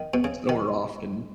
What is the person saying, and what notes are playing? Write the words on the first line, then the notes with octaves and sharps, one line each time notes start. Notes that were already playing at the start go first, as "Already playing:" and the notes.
so we're off and
Already playing: D#3
B2
C#3
D#3